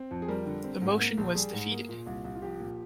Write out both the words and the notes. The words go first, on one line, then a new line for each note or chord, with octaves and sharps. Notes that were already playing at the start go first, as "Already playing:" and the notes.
The motion was defeated.
Already playing: C4
F2
G#4
G3 A#4
D3
C4
G#2
A#3
A#1
G3 G#4
G#2
A#3
A#2
C2
C2
F4
F3 G4
A#2